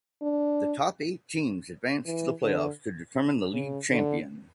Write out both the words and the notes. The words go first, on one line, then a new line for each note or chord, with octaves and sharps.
The top eight teams advance to the playoffs to determine the league champion.
D4
E3
D3
C#3
D3